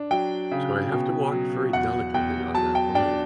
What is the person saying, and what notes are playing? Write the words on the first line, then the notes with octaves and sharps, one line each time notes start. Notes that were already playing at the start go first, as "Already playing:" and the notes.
So I have to walk very delicately on that line.
Already playing: D4
F#3 G5
C#3
B2
F#3
E2 F#5
E2 G5
F#3 A5
G5
D4 G5